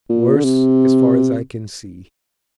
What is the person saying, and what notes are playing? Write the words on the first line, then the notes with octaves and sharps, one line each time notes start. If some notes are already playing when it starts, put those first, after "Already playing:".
'Worse, as far as I can see.
A#2
D3
C3